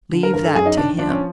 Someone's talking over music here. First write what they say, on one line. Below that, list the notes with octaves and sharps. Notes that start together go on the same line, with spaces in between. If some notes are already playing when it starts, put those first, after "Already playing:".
"Leave that to him."
D3
A#4
G2 A#4
A4
F#2 G#4
D#4
D#3 D4
F3 D4
C#4